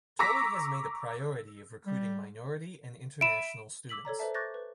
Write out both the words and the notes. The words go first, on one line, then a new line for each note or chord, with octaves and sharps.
Towey has made a priority of recruiting minority and international students.
A#5 C#6 D6 E6 A#6 B6
G3
E5 B5 D7 E7
D6 E6 B6 F#7
A4 C#5 D5 A#5
A4 B4 C5 D5 E5 A5
C#6 D6 F#6 G6 A6 A#6
B4